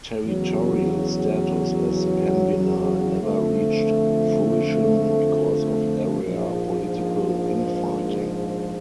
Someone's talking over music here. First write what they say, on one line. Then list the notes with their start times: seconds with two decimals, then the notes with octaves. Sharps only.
Territorial status as Pembina never reached fruition because of area political in-fighting.
0.24 E2 C#3 F#3
3.23 F2 D3 F3 A3
6.22 A#1 G#2 F3